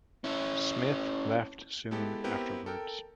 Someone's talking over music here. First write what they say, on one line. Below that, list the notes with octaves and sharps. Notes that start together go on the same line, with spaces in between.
Smith left soon afterwards.
C#4 E4
G#3 B3 E4 G4 A4
B3 C4 E4 G4 A#4 B4
A4 A#4 G5